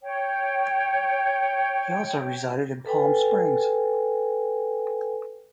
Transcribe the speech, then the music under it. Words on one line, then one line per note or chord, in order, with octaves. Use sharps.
He also resided in Palm Springs.
C#5 G5
A4 B4 G5 G#5